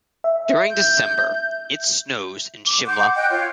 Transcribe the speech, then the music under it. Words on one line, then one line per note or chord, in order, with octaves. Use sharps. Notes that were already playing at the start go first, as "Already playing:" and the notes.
During December it snows in Shimla.
E5
G6
D6
F#5 C6 D6 G6
D#5 G5 F#6 G6
F4 C#5 F5